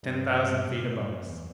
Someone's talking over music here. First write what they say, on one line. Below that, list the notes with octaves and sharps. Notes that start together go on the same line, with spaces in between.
Ten thousand feet above us.
G2
C3
B2
A2
G2
F#2
E2